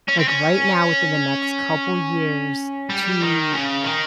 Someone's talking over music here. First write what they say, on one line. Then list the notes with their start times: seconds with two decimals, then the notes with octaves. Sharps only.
like, right now within the next couple years, to
0.08 C#4
0.19 C4
0.28 C#4
2.90 G3
3.22 D#3
3.52 C#3
3.84 D#3